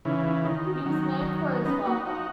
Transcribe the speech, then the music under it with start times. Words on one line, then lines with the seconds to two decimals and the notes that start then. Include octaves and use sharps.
He was named for his father.
0.05 C#3 E3 D#4
0.25 D#4
0.45 D#3 E4
0.65 F#4
0.81 C#4
0.86 D#3 F#3 D#4
1.65 B3 C#4 D#4
1.85 A#3 D#4 F#4
2.06 D#4 F#4